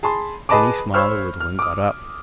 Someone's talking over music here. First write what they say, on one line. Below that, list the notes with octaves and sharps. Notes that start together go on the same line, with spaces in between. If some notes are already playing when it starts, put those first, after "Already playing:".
Then he smiled a little and got up.
G#4 A5 B5 C6
G#4 B4 D#5 A5 B5 D6
C5 C#5 B5 C#6 E6 F6
F6
D6 D#6